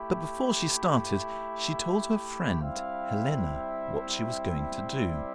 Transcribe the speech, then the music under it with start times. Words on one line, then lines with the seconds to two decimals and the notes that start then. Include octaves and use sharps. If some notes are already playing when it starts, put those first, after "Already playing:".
But before she started, she told her friend, Helena, what she was going to do.
Already playing: A3 E4 G4 E5
1.03 E5
2.60 G3 C4 E4 F5
3.39 E5
4.96 D5